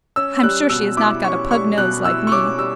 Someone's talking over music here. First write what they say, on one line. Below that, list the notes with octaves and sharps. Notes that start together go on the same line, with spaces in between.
I'm sure she has not got a pug-nose like me.
C#4 E6
G3 F#6
B2 E6
E4 D6
C#4 C#6
G3 C#6
B2 F#6
E4 E6
C#6
C#4 D6
G3 E6